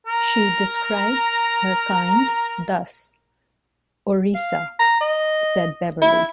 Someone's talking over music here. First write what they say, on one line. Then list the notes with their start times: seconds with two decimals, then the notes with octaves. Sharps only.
She describes her kind thus: "Orisa," said Beverley.
0.07 A#4 A#5
4.34 F5
4.79 A#5
5.00 D#5
6.01 E4